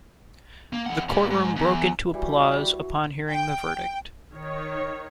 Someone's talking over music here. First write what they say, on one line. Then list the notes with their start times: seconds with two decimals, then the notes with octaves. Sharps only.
The courtroom broke into applause upon hearing the verdict.
0.73 A#3
0.86 F2 F#5
1.09 A#2 G3
1.30 G#2
1.56 E2
2.14 E3 G3 F#4
3.30 G5
4.33 D#3 C#5